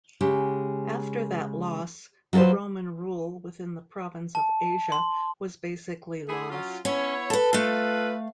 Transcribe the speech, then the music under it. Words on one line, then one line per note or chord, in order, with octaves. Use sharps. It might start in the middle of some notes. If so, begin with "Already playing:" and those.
After that loss the Roman rule within the province of Asia was basically lost.
C#3 G#3 G4
F#3 F4 A4 B4 C5
A5
C6
A3 E4 G#4
F#3 C#4 F4
B3 C#4 E4 C#5
A4 B4
A3 F4 A4 B4 F5